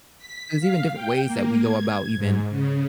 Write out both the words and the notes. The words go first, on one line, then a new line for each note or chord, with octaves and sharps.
There's even different ways that we go about even,
B6
F5
G5
A#3
G#6
G#2
C#3